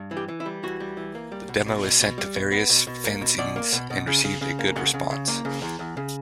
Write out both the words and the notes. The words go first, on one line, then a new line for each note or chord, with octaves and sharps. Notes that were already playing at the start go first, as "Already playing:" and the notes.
The demo is sent to various fanzines and received a good response.
Already playing: G2
E3
G4
E3
E4
G3
E3 F#4
G3
E3
A#3
G3
B2
B2
B2
B2
G3
B2
B3
B2
B2
A#3
B2
B2 D5
A#3
B2
B2
C#3
C#3
C#3
A#3
C#3 F#5
C#3
C#3
A#3
C#3
E2
E2
C#3